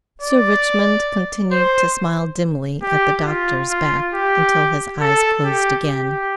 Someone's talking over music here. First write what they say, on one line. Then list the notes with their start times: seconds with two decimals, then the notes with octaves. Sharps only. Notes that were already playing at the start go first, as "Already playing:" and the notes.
Sir Richmond continued to smile dimly at the doctor's back until his eyes closed again.
0.21 D5
1.52 C5
2.83 G4
3.27 F4
3.70 F4
4.14 G4
5.01 A4
5.45 G4
5.88 G4